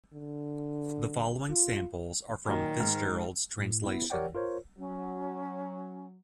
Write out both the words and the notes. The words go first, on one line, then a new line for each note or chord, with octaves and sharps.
The following samples are from FitzGerald's translation.
D3
F4
A#2 D#3 F#3 A#4
G#2 F6
A2
B3 E4
G4 A#4 C#5 D5 F#5 G5
F4 A#4 C5 C#5
F#3 C#4